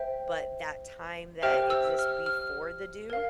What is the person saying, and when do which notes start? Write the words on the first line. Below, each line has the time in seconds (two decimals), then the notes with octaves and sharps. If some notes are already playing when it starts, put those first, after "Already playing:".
but that time that exists before the do,
Already playing: C5 E5 G5
1.42 G4 C5 E5 G5 F6
1.70 E6
1.99 F6
2.26 F6
3.10 A#4 F5